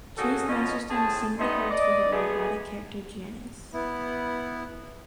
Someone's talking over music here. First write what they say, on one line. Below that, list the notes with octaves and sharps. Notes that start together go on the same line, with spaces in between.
Chase Masterson sang the parts for her robotic character Janice.
A#3 C#4 D#4 F#4 G#4 A4
F#2 B2 C#4 F4 D#5
A2 C4 G#4 A5
G3 A3 B3 D#4 D#5 C6
D5 D#5
D3 A3 B3 G#4
B3 E4